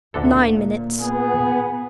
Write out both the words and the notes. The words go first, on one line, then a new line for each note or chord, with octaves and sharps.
Nine minutes.
D2 A#2 D3 A4
B3 G#4